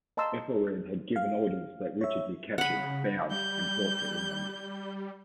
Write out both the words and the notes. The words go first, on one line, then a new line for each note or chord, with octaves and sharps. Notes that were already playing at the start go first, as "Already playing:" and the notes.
Ethelred had given orders that Richard be captured, bound and brought to England.
D#5 A5 A#5 C6 E6
F5
C#5 E5
C#3 F#5 B5
G3 G6